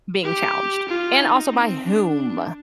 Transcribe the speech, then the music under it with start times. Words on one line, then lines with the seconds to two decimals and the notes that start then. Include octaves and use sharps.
being challenged. And, also by whom.
0.23 G4
0.89 F4
1.21 D#4
1.53 C4
1.86 D4